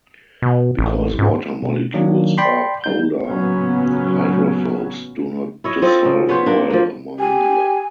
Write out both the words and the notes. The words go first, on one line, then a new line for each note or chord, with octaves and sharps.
Because water molecules are polar, hydrophobes do not dissolve well among them.
B2
A1
G#2
B2
D#3 F#3 A#3 D4
D5 G5 B5 C6
G3 D#4 G6
A1 A#2 C#3 F#3 B3 C#4
E4 C#5 D#5
F3 C4 A4 D#5
C#3
B3 C#4 B4 C5
A#3 D4
F3 A#3
G4 G#5